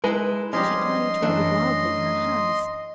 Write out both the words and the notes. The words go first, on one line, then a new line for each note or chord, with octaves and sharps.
She eyed rather wildly her hands.
G#3 D#4 E4 B4
F3 G3 C#4 D#4 G4 D#5 C6
F#2 E3 A3 D4